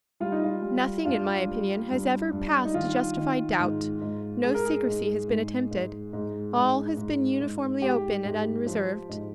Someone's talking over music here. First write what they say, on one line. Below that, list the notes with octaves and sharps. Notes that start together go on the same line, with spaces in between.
Nothing in my opinion has ever passed to justify doubt; no secrecy has been attempted; all has been uniformly open and unreserved.
G3 F4
D#4
F4
G3
G2 F4
G3
G2
G2
D#4
D#3 F4
D#3
G#2
G#2
G#2 G#4
A#4
G#4
G#2
G#2
G#2
G#2
G#2
G#2
G#2
G#2 G4
G#2
F3
G#2